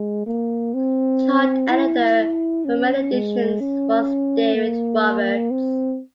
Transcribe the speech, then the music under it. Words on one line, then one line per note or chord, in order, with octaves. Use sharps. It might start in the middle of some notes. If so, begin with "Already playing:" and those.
Chart editor for many editions was David Roberts.
Already playing: G#3
A#3
C4
E4
C#4
G#3
C#4
A#3
C4